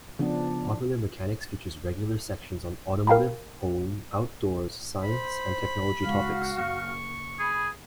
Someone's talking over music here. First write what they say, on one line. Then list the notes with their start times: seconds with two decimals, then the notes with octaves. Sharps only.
"Popular Mechanics" features regular sections on automotive, home, outdoors, science, and technology topics.
0.19 C#3 F3 B3 D4
3.07 A#4 F5 G5 A#5 B5
5.03 C5 B5
6.04 C#2 G#3 F#4 F5 F6
6.58 F#1 C#6
7.39 G#4 B5